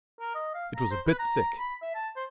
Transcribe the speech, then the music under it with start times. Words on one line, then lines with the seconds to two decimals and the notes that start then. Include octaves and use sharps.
It was a bit thick.'
0.20 A#4
0.35 D#5
0.55 F5
0.76 A#5
0.91 C5
1.06 B4
1.19 A#5
1.59 B5
1.82 E5
1.95 A5
2.16 C5